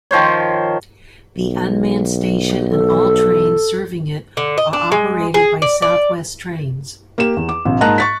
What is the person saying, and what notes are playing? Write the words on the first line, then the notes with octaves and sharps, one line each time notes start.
The unmanned station and all trains serving it are operated by South West Trains.
D#3 F3 C5 C#5
B1
A4
D3
D#5
D4
G#3
G#4
D5
D5
A#3 G4 E7
E2
D6
A#1 C3
G#2 A#3 D#5 A5 A#5 F#6
C#6 A6 B6